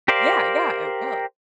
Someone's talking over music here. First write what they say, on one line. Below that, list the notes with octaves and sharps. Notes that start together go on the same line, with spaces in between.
Yeah, yeah, it will.
G4 A#4 C5 D5 F5